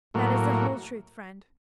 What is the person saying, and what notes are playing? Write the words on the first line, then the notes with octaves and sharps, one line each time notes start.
That is the whole truth, friend.
A2 F#3 A#3